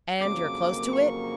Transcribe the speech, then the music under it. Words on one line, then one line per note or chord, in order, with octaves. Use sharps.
"And you're close to it?"
F2 C#3 F#3 A#3 D6
C#6